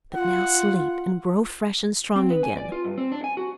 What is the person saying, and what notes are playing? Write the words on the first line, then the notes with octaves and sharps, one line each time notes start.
But now sleep and grow fresh and strong again.
F4 F#5
C4
B4
G#5
D5
F4
G2
C4
D4
G#5
F#4